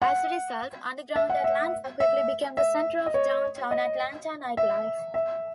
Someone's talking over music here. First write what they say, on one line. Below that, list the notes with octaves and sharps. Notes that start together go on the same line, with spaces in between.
As a result, Underground Atlanta quickly became the center of downtown Atlanta nightlife.
F#5
E5
F#5
E5
E5
E5
D#5
C#5
D#5
E5
E5